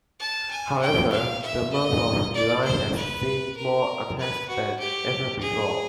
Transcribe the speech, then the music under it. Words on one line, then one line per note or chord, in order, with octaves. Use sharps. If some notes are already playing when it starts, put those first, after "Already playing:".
However, the month of July has seen more attacks than ever before.
A5
G#5
G5
F5
E5
D#5
D5
C5
B4
A#4
B4
F#4
G4
G#4